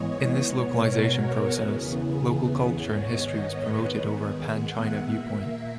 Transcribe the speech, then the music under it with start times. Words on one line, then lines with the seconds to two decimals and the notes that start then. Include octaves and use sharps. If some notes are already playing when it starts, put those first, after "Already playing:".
In this localization process, local culture and history was promoted over a pan-China viewpoint.
Already playing: G#2 E3 G#3 B3 C#5 D#5
0.38 B2 G#3 B3 C#5
0.67 A#4
0.96 F#4
1.25 G#4
1.54 E2 C#3 E3 B3
2.69 G#2 D#3 G#3 B3 C#5
2.98 D#5
3.56 B4
3.85 G#2 D#3 G#3 B3 G#4
4.42 F#5
4.71 E5
5.00 A#2 A#3